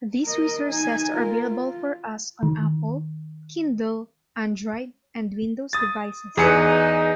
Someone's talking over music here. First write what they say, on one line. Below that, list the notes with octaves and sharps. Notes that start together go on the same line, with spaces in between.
These resources are available for us on Apple, Kindle, Android, and Windows devices.
A#4 D#5
D#4 G#5
F4 A#4
F4
D#3
D#6 A6
E2 D#4 G#4 B4 G#5 C#7